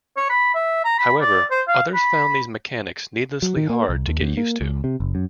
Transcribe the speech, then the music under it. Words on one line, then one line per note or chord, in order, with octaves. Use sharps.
However, others found these mechanics needlessly hard to get used to.
C#5
B5
E5
A#5
B5
D5
C5
F5
B5
F#3
D#3
A#3
C2
D#2
D2
A#3
C#2
C3
F#1
F#2